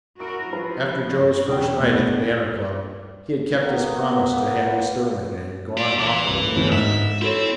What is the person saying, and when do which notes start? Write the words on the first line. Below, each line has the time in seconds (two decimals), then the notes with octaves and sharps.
After Joe's first night at the Banner Club he had kept his promise to Hattie Sterling and had gone often to meet her.
0.20 E4 F#4 A#4 C#6 D7
0.52 F3 G3 F4 B4
1.10 G2 C4 C#5 D5 E5
1.47 E1 E2 B3 G5
1.78 D2 B2 E3 G3 B3
3.60 A#3 B3
5.77 D4 G4
6.00 E3 D6
6.28 C2
6.55 G1 A2
6.72 G#2 E5
7.22 C4 E4 A4 C#5